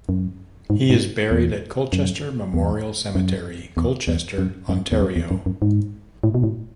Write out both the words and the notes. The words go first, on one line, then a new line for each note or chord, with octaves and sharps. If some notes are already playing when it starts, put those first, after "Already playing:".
He is buried at Colchester Memorial Cemetery, Colchester, Ontario.
F#2
G#2
G#2
E2
F#2
E2
F#2
E2
E2
F#2
F#2
E2
F#2
E2
F#2
F#2
G#2
A2
B2
A2